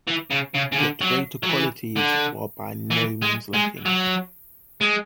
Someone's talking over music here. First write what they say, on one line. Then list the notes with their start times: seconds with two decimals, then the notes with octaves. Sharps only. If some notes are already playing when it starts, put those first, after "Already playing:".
Yet greater qualities were by no means lacking.
0.07 E3
0.30 C#3
0.54 C#3
0.72 C#3
0.78 D3
1.01 F#3
1.43 F#3
1.49 E3
1.96 D3
2.91 E3
3.23 G#3
3.54 G#3
3.86 F#3
4.81 G#3